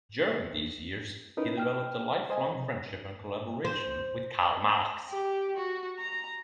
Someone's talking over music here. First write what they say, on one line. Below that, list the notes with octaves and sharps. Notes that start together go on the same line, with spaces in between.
During these years, he developed a lifelong friendship and collaboration with Karl Marx.
C#4 D#4 E4 A#4 B4
G5 F6
C5 D#5 G#5
C3
C5
G4
F#4
A#5